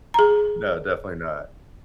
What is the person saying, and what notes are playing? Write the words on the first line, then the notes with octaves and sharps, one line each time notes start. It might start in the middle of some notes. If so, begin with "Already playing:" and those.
no, definitely not,
G#4 A#5